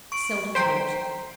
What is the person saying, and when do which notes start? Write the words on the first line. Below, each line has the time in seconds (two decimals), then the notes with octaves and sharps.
Seldom bought.
0.12 C#6 D7
0.55 C5 G5 A#5 G6 B6